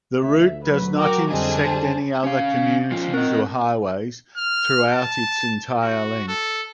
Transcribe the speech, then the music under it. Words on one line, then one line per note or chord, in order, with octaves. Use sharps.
The route does not intersect any other communities or highways throughout its entire length.
D2 E5
F#3 B4
F#4 A#4 G5 D6
F2 D3 G3 C4 D4 G#4 D#5
C5 A5
C#4 F5
F3 C#4 F4
C4 A#4 D#5
F6
A5
F#4
A4